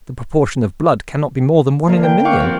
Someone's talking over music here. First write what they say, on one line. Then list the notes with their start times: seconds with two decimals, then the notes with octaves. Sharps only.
The proportion of blood cannot be more than one in a million.
1.87 D3 A#3
2.03 G5
2.25 F5 F#5 C#6 D6 F6
2.40 F3 C4 G4